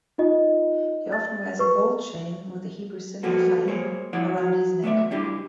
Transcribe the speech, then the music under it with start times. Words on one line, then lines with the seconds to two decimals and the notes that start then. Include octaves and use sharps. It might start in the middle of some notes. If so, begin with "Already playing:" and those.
He often wears a gold chain with the Hebrew symbol 'chai' around his neck.
0.18 D#4 F4 D#5
1.12 A6
1.59 B4 C#6
3.23 F3 G3 A#3 B3 F#4 A4
3.68 G#3 A#3 C5 C#5
4.13 G2 F3 E4 C#5 D5 F#5
4.38 F#3
4.83 D#2 A3 B3 C5 D5 E5
5.11 G3 D4 E4 G4